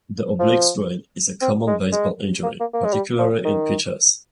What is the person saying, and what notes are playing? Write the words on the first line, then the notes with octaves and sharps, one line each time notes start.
The "oblique strain" is a common baseball injury, particularly in pitchers.
F3
C4
G#3
G#3
A#3
A#3
A#3
G#3
G3
F3
D#3